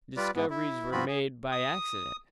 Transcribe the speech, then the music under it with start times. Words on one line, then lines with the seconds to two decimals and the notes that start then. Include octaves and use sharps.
Discoveries were made by accident.
0.17 G3 F4 B4 D5
0.35 G#2 E3 B3
0.50 E4
0.92 G2 F3 C4 F4 F#4 B5
1.08 G#4
1.52 D#6